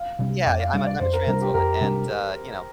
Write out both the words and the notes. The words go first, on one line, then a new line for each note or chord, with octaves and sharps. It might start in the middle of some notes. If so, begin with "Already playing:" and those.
Yeah, I'm a I'm a trans woman. And, uh, you know,
Already playing: F5
C3 G3 D4
F2 D5
F5
C3 G3 D4 F5
D5
F2 C5
A#4
C3 G3 D4 A#4
G4
F2 A#4
C3 G3 D4